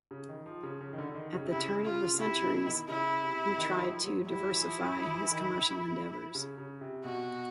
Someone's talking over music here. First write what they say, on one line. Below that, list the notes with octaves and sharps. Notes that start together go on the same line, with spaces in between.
At the turn of the centuries he tried to diversify his commercial endeavors.
C#3
D#3
F3
C#3
C#3
D#3
D3
D3
D#3
C#3
C3
E4
C#3
F4
C#3
C3 E4
B2
D#3
C#3 E4
C3
D#3
F#3
F3
F#3
G3 E4
F#3
E3
F3
F#3
F3
E3
D#3
C#3
C#3
C3
B2 F#4